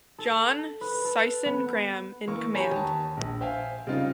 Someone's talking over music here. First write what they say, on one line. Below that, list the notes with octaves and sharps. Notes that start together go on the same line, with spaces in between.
John Sisson Graham in command.
A4
B4
A4
B3
E3 A#3 C#6
G4 C#5 G#5 A#5 B5
D#2 A5
A#1
C5 E5 F5 G5 G#5
C#3 G3 C4 D#4 F4